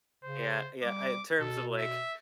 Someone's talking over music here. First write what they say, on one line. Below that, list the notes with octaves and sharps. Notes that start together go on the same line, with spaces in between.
Yeah yeah, in terms of, like,
C#3 C5
G3 D6
B2 A4
E5